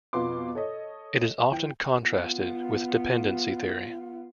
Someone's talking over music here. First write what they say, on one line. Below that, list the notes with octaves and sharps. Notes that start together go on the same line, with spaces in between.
It is often contrasted with Dependency theory.
F2 B2 B3 F4 C6 D6
A4 C#5 D#5
E3 G5
B3 F4